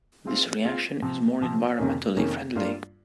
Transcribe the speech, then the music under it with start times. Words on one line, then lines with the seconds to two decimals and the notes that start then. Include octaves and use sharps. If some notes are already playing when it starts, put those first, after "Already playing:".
This reaction is more environmentally friendly.
0.26 G#3 C4 F4
0.63 G#3 C4 F4
1.02 C3 F3 C4
1.41 C3 F3 C4
1.78 F2 C3 D#3 A#3 C#4
2.17 F2 C3 D#3 A#3 C#4
2.55 G2 G3 A#3 F4